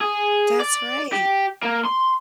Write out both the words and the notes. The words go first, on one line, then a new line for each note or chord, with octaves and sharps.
That's right.
G#4
D5
G4
A#3
C6